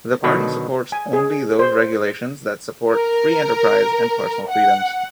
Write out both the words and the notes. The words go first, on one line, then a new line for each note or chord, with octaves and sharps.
The party supports only those regulations that support free enterprise and personal freedoms.
B2 D3 D#3 F#3
G#5
G#4
C5
A#4
F#5